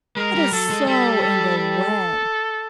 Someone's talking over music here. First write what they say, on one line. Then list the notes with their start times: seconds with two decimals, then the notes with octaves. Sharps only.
It is so in the way!
0.17 G#3 A#4
0.35 G3
0.52 F#3 A4
0.70 G#3
0.87 G3 A4
1.23 A4
1.58 A4